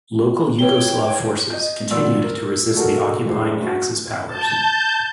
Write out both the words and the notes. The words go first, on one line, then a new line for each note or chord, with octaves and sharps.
Local Yugoslav forces continued to resist the occupying Axis powers.
B4 C#5 G5 G7
D#5 G6
G#1 A#2 F#3 D5 E6
A#4
G#3 D4 F#4 A4 A#4
F#1 G#3 D4 E4 C5
F#4
A5 G6